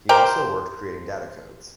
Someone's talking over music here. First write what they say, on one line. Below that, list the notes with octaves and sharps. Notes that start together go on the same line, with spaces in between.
He also worked creating data codes.
G4 A#4 C5